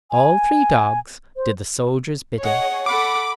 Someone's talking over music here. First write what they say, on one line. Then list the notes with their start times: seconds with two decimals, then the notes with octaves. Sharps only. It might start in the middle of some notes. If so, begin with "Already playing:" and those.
All three dogs did the soldier's bidding.
0.11 G#5
1.36 C5
2.43 G#4 C#5 D#5 F#5
2.86 A4 F#5 B5 D6